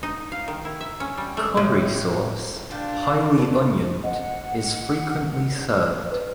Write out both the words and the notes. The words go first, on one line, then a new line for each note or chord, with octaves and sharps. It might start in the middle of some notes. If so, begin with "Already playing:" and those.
Curry sauce, highly onioned, is frequently served.
D#4
F5
D#3
E4
E5
C#4
G3
A3
A2
A#2 D4 F4 G4
A2 B4 A5
D#5 F#5
B4